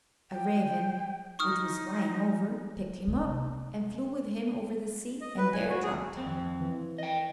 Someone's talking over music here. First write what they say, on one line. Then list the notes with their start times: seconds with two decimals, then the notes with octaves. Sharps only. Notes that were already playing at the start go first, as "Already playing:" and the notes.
A raven, which was flying over, picked him up, and flew with him over the sea, and there dropped him.
0.31 G5
1.39 D#4 C#6 D#6 F6
3.08 C3
5.21 D#5
5.38 B4
5.53 G#5
5.70 F#4
5.83 G#4
6.17 F2 C4
6.61 E3
6.98 D#5 G5